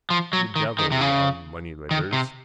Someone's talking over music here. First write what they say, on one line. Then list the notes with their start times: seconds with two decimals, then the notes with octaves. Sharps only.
The devil on moneylenders.
0.10 F3
0.33 F#3
0.56 D#3
0.79 D#3
0.92 C3
1.01 C#3
1.91 D#3
2.13 C3